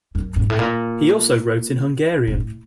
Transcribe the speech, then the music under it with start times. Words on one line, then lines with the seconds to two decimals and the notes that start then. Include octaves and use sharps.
He also wrote in Hungarian.
0.15 F#2
0.36 G#2
0.50 A2
0.59 A#2
2.28 A#2
2.34 A2